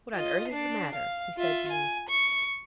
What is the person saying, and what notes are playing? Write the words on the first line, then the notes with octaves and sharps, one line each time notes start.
'What on earth is the matter?' he said to me.
F4 D#5
D4 C7
F5
F4 E5
G#5
C#6